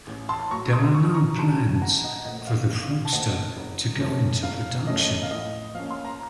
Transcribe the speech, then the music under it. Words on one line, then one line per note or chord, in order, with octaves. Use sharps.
There are no plans for the Frogster to go into production.
A1
A5 C6
A2 F#3 A#5 C#6
C6 D#6
A1 C#6
D#6
A#5 C#6
A2 F#3 A5 C6
A5
A#1 F#5 A#5
D#5 F#5
A#2 A3 C4 D#5 F#5
F5
A#1 F5
A5
A#2 A3 C4 D#5 F#5
F#1
F#2 F3 A3 C#4
F#1 F5
F#2 F3 A3 C#4 D#5
D#5
F5
A2 D#5
F3 A#3 C#4 F5
C6
A#5